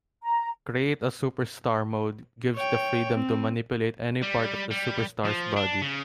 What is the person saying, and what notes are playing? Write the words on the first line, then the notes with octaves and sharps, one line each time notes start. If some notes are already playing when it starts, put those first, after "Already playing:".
"Create-A-Superstar mode" gives the freedom to manipulate any part of the superstar's body.
A#5
C#5 G5
C4
G3
G3
F3
D4
C#3